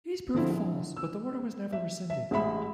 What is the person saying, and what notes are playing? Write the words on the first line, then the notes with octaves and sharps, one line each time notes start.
These proved false, but the order was never rescinded.
D3 F3 C4 E4
A#1
E6
E5
E5
A1 G#3 E5 B5